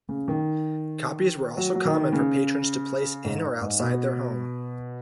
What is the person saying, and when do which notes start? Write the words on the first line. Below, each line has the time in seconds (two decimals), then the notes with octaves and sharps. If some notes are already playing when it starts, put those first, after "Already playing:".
Copies were also common for patrons to place in or outside their home.
0.09 C#3
0.28 D#3
1.57 F#3
1.75 F#3
1.85 D#3
2.13 C#3
3.25 G#2
3.61 G#2
3.79 B2